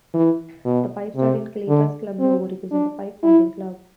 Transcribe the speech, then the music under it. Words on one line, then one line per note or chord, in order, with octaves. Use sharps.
The five stars in Kallithea's club logo represent the five founding clubs.
E3
B2
C3
D3
C4
D4
E4